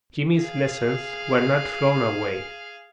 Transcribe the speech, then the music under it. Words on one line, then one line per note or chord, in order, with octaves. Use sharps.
Jimmy's lessons were not thrown away.
G#4 F5